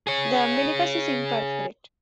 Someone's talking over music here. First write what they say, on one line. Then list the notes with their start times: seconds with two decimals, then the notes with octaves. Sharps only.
The umbilicus is imperforate.
0.07 G#4 C#5